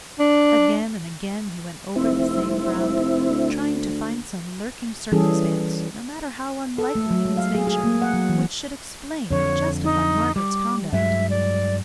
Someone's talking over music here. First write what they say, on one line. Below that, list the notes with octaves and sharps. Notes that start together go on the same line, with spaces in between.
Again and again he went over the same ground, trying to find some lurking circumstance, no matter how unlikely in its nature, which should explain and justify Margaret's conduct.
D4
F1 C4 E4
D2
E3 G3 C#4 G#4 A4
A4
A3
F#3
G#3
F5
G#4
G#4
A#3
F#5
F#3
E3
F2 D3 C#5
D#4
G3 D6
G2 F#3 G#3 E5
D5